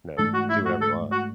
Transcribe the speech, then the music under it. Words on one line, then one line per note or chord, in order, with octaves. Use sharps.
you know, do whatever you want.
G#2 E3 A3 D4 A4
F#4
E4
F#4
A4
F#4